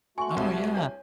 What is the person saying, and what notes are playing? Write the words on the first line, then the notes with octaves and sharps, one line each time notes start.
Oh, yeah.
A3 F#4 G#5 C6 C#6
C2 G3
D4 C#5